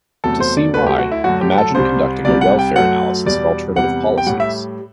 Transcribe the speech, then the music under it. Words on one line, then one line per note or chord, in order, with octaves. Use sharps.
To see why, imagine conducting a welfare analysis of alternative policies.
E2 C3 F#3 A3 A4
C5
D5
D2 D3 F#3 A3 B4
G4
F#4
E4
F#2 D3 A3 F#4
G4
A4
C2 C3 G3 C5
C2 C3 G3 D5
F#5
G5
F#2 F#3 A3 F#5
E2 B2 G3 D5
E2 C3 G3 F#5
G5
A2 G3 F#5
E5